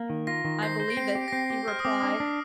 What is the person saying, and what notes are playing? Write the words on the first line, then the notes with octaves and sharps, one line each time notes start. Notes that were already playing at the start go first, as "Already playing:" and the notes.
"I believe it," he replied.
Already playing: A#3
D#3
F4 A#6
D#3
C5 C7
C5
D7
C4 C7
G4
A#6
C4 C7
G4
C5 F6
D#6
C4 D6
D4
D4